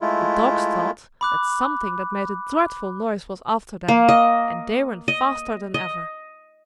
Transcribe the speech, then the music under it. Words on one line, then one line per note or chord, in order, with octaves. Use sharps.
The dogs thought that something that made a dreadful noise was after them, and they ran faster than ever.
G#3 A3 E4 F4
B5 D6 F#6
A#3
D#5
D#5
D#5